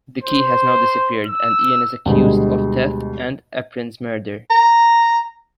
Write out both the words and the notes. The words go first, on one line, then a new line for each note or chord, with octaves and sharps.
The Key has now disappeared and Ian is accused of theft and Eprin's murder.
C5
E6
D2 B2 G3 G#3
A#5